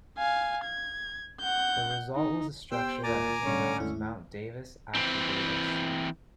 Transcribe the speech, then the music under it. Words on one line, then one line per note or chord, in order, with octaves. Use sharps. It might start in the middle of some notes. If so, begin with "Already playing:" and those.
The result was a structure that became known as Mount Davis after Davis.
F5 G#5
G#6
F#5 G6
D#4
B3 G4 C5 G5 E6
D#2 A#2 G#5 A#5 D6 A6
G#2 B2 D3 G3 C#4
D#2 A3 E4
E3 C4